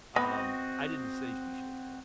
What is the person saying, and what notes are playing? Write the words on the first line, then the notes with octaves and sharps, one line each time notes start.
um, I didn't say she should have.
B3 C4 F#4 B4 D#5